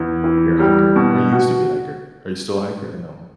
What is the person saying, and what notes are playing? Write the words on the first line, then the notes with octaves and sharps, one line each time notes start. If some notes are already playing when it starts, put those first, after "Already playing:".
You're a hiker or you used to be a hiker. Are you still a hiker or no?
Already playing: E2
E3
G3
B2
F#4